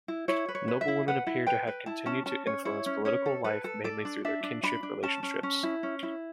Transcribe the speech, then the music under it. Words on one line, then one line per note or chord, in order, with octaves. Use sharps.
Noblewomen appear to have continued to influence political life mainly through their kinship relationships.
E4
E4 C#5
B4
C#5
B4
E5
E4
B4 F#5
E4
B4 G5
B4
E4 A5
C#4 A5
C#4 A5
C#4 C#5
E4 C#5
C#4
C#4 C#5
A4
A4 B4
A4
A4 D5
D4
D4 E5
D4
D4 B5
D4
C#4 A5
C#4
C#4
E4
C#4
E4